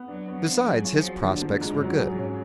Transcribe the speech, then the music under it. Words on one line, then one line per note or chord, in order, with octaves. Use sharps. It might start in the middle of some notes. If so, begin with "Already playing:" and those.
Besides, his prospects were good.
Already playing: B3
F#3 D4
B3
F3
B3
F#3 G#4
F4
F3
F#3
D3 F3
F3
D3
G#2
F#2 F#3
G#4
G#2
C#4